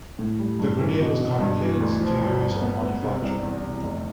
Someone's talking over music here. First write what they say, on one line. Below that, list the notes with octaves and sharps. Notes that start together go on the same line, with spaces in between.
The grenade was complicated to use and manufacture.
A2
G3
G2
E3
B2
B2
G2
E3
D2
F3
G1
G1
B3
B3
C3
C2
E2
C3
F1